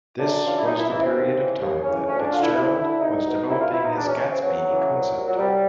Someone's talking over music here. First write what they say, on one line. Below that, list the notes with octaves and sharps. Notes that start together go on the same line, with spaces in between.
This was the period of time that Fitzgerald was developing his Gatsby concept.
F#2 D4
C#3 E3 F4
E4
F#2 D#4
E4
C#3 E3 E4
C4
D#2
C#3 E3
D#2
C#3 E3 C#4
D2 C#4
D4
D3 F4
E4
D2 E4
D3 E4
C2 D#4
B2
C2 E4
F4
B2 E4
D#4
E2 D4
C#4
C#3 E3 C#4
C4
E2 F#3
C#3 E3
C2
A#2
F#3
C2 G3